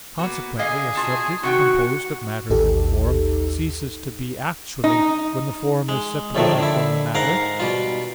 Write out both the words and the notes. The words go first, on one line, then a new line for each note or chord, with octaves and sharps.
Consequently a subject composed of matter and form ceases to be actually when the form is separated from the matter.
A#3 B3 F#4
D3 G#4 D#5 F5
B2 F4 A5
C3 D#3 F#4 F#5 G5 C#6
A1 D#2 D#4 G4 A4
D#4
G#3
A#1 F2 A2 D3 D#3 A3
D3 E4
G#2 A#4 F5 F#5 A#5
B2 G3 F4